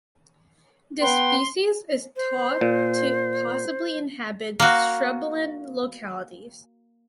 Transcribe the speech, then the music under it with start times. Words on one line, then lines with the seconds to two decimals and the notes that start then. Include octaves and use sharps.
This species is thought to possibly to inhabit shrubland localities.
1.01 B3 B4 G5 C6
2.16 C5
2.61 A#2
4.60 A#3 F#4